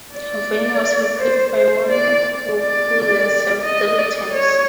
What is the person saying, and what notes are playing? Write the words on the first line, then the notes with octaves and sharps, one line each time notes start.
Vane was replaced by Winthrop, who then served three terms.
D5
C5
C5
D5
D5
D#5
D5
C#5